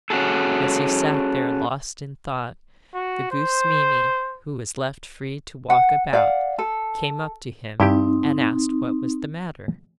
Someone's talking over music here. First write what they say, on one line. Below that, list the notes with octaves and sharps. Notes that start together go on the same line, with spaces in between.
As he sat there lost in thought the goose Mimi, who was left free to walk about, came up to him and asked what was the matter?
C#4 F#4 G#4 A4
F#4
C5
F#5
D5 F5 F#5
A4
G2 C4 D#4 E4 G4